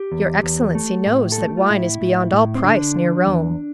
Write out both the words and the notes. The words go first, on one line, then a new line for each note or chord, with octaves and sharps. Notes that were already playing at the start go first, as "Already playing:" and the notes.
"Your excellency knows that wine is beyond all price near Rome."
Already playing: G4
E2
E2
A3
A2
A4
A3
G4
F4
A2 E4
A2
A2
C4
D3 D4
F3
E2